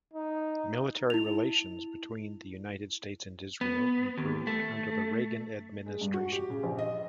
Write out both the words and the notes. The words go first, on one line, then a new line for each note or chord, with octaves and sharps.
Military relations between the United States and Israel improved under the Reagan Administration.
D#4
E4 F7
B3
D#2
A3
G#3
G2
F#4
G4
C#3
A#1
D#5